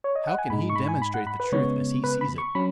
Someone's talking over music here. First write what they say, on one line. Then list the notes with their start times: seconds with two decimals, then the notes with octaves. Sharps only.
How can he demonstrate the truth as he sees it?
0.04 C#5
0.15 D#5
0.27 F#5
0.38 G#5
0.50 G#2 G#3 D#4 B5
0.70 C#6
0.76 B5
0.88 G#5
1.02 B5
1.14 F#5
1.27 B5
1.40 B4
1.52 C#3 G#3 B3 C#5
2.04 B4
2.21 B5
2.38 C#6
2.55 F#3 C#4 B5